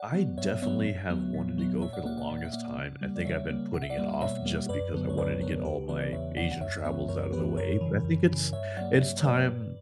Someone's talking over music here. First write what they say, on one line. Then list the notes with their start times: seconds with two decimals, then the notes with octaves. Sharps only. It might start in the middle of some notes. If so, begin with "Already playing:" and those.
I definitely have wanted to go for the longest time. I think I've been putting it off just because I wanted to get all my Asian travels out of the way, but I think it's it's time
Already playing: D5 F#5
0.14 F#3 B3
0.37 G2 C#5 E5
0.62 F#3 B3 C#5 E5
0.86 A#2
1.10 F#3 B3
1.34 A#2
1.58 F#3 B3
1.82 A#2 C#5 E5
1.93 D5 F#5
2.05 A#3 D5 F#5
2.17 D5 F#5
2.30 A#2
2.38 F#5
2.45 E5
2.52 A#3 D5 F#5
2.78 C#3
3.01 G3 A#3
3.16 D5
3.25 C#3 C#5 E5
3.50 G3 A#3
3.73 B2 F#5
3.82 E5
3.90 D5 F#5
3.98 G3 A#3
4.21 B2 C#5 E5
4.46 G3 A#3
4.69 F#2 B4 D5
4.94 D3 F#3 B3
5.10 C#5
5.17 F#2 B4 D5
5.41 D3 F#3 B3 A#4 C#5
5.65 E2 G4 B4
5.89 C#3 E3 B3 B4 D5
6.01 D5
6.13 E2 C#5 E5
6.37 C#3 E3 B3 D5 F#5
6.52 F#5
6.61 F#2 C#5 E5
6.85 E3 B3 C#5 E5
7.09 F#2 A#4 C#5
7.33 E3 B3 G4 B4
7.57 F#2 A#4 C#5
7.81 C#3 E3
8.04 F#2
8.28 C#3 E3
8.53 G2 C#5 E5
8.77 F#3 A#3 D5 F#5
9.00 G2 C#5 E5
9.19 C#5
9.25 F#3 A#3 B4 D5
9.49 G2